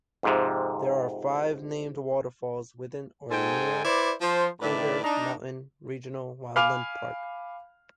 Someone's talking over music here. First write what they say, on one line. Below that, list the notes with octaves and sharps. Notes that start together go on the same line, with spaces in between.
There are five named waterfalls within or near Cougar Mountain Regional Wildland Park.
F2 G#2 C3
G#2 D#4 A4 C5 G5 G#5
E4 B4 C5 D5
F3 C5
A2 D#3 D4 B4 D5 E5
D4 D#4
F5 G#5 B5 D6 F6 F7